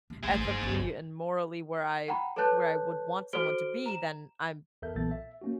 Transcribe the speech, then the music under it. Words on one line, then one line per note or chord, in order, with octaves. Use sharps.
ethically and morally where I, where I would want someone to be, then I'm
D#1
A1 D2 G#4 C5
F#1 G2
G1 C#2
F#5 G5 A#5 B5
A4 B4 C#5 A5 F#6 G6
F#4 A4 C5 F6 D7 G7
A#5 E7
E2 A4 A#4 E5 G6
B1 A#2 E3 B3 A4 A6
E5
A#3 C#4 F#4